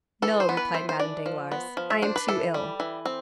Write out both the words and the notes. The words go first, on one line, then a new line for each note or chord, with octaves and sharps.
"No," replied Madame Danglars, "I am too ill."
E3 A4
C5
B3
B4
E3 C5
C5
D4 D5
F3
B3
F3
E5
D4 C5
B4
E3 A4
G3
E3
C4